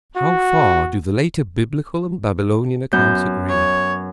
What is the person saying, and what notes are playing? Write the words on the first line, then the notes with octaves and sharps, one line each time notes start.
How far do the later Biblical and Babylonian accounts agree?
F#4
F#2 B3 G6
C#5